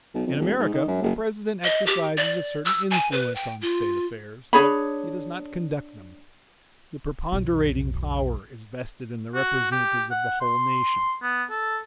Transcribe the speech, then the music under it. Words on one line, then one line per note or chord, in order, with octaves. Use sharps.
In America the President exercises a certain influence on State affairs, but he does not conduct them; the preponderating power is vested in the representatives of the whole nation.
B1
F2
E1
G#2
D#3
F#2
F#1
D#5
G4
D5
E6
G#5
B4
G5
F4
D4 G#4 C#5 B5
B1 F2
F#4
G4
F#5
C6
B3
A4